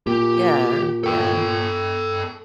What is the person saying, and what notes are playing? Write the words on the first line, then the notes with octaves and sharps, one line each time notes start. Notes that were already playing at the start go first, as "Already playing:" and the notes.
Yeah. Yeah.
A#2 G4
A4 G5